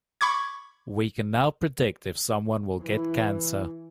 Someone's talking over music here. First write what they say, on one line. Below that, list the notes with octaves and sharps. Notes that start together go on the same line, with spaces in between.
We can now predict if someone will get Cancer.
B5 C#6 D6 G#6
E3